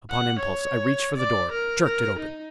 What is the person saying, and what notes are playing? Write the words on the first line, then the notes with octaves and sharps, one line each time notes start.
Upon impulse I reached for the door, jerked it open.
F#5
C#5
D5
A#4
A#4
D#4